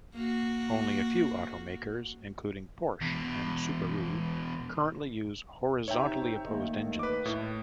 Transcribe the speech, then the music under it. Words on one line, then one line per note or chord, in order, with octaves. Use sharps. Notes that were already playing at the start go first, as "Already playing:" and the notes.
Only a few auto makers, including Porsche and Subaru, currently use horizontally opposed engines.
A#3 F#4
E2 B2
C3 D#4 C#5 E5 G5
D#3 A3 A#3
B4 D6
A2